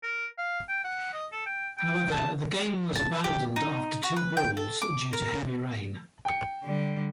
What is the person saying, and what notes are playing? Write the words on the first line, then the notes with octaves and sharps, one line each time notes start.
However, the game was abandoned after two balls due to heavy rain.
A#4
F5
G5
F#5
D#5
A4
G5
G5
A5
A5
G4
D#4
F#4
B4
G5
A4
D6
A#4
G5 C#7
D3 G3